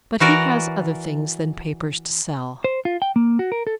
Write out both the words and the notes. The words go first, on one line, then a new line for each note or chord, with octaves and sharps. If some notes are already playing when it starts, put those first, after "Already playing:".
But he has other things than papers to sell.
E3 F#4 A#4 D5
C5
F4
G5
A#3
F#4
A#4
A4